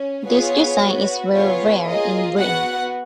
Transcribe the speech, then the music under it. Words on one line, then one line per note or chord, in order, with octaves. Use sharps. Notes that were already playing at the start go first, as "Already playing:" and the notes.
This design is very rare in Britain.
Already playing: C#4
B3 F4 G#4 C#5
B3 F#4
B3 F4 G#4 C#5
A#3 F4 G#4 D#5
B3 F#4 F#5